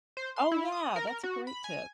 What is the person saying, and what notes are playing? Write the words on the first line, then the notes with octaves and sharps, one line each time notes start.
Oh yeah, that's a great tip.
C5
C6
E4
D#6
A#4
A#4
F#4
B5
G#5